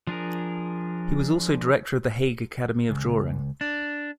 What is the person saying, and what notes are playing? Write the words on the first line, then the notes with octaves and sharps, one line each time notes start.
He was also director of the Hague Academy of Drawing.
F3 D4 G#4 A#4
C#2
D4